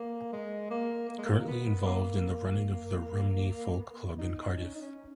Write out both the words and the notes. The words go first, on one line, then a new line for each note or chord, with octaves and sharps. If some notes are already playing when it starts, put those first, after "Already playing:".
Currently involved in the running of the Rumney Folk Club in Cardiff.
Already playing: A#3
G#3
A#3
A#3
G#3
A#3
B3
A#3
B3
D#4
C#4
D#4
C#4